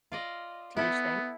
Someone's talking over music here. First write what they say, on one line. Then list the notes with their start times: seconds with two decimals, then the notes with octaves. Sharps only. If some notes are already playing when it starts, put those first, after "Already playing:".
to each thing?
0.12 F4 D5 D#5
0.77 B3 E4 A4 F#5